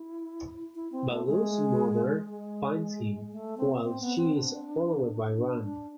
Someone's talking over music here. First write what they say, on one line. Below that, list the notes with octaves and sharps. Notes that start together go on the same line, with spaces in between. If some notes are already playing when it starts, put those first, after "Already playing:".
Ballu's mother finds him, while she is followed by Ram.
Already playing: E4
E4
C4
A3
G#3
G#3
A3
C4
C4
B3
C4
D4
D4
D4